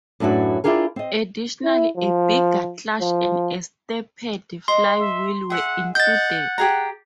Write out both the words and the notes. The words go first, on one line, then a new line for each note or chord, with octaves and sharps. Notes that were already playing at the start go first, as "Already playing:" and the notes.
Additionally a bigger clutch and a stepped flywheel were included.
F#2 A2 D4 E4 F#4 B4
D4 E4 F4 G4 G#4 A#4
C4 D#5
E4
F3
F3
D#5 C6
E5
G#4 E5 F#5
D#5 F#5 G6 A6
G4 G#4 A#5